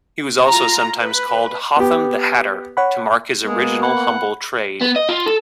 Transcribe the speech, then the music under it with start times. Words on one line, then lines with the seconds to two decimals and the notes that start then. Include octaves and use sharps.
He was also sometimes called Hotham the Hatter, to mark his original humble trade.
0.46 F4 A#5
1.02 B4
1.76 B3 G4
2.77 C#5 F#5 B5
3.46 G#3 A#3 B3
3.83 F#5 B5
4.81 B3
4.96 D#5
5.09 F4
5.26 A4